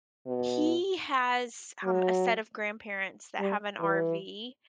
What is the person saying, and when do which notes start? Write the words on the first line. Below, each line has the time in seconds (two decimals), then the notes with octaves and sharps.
He has, um, a set of grandparents that have an RV,
0.26 B2
1.84 F#3
3.40 G3
3.80 E3